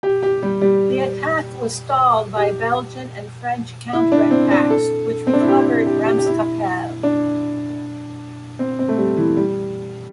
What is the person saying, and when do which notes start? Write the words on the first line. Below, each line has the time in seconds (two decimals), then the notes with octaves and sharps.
The attack was stalled by Belgian and French counter-attacks which recovered Ramskapelle.
0.03 G4
0.23 G4
0.42 G3
0.61 G3
2.37 G4
3.93 E4
4.12 D4
4.31 C4
4.51 D4
4.70 A4
5.27 C4
5.33 D4
5.40 E4
5.48 G4
5.67 E4
5.86 G4
6.06 G4
6.18 G4
6.26 E4
7.03 D4
8.59 C4
8.79 C4
8.89 A3
8.98 G3
9.17 E3
9.36 G3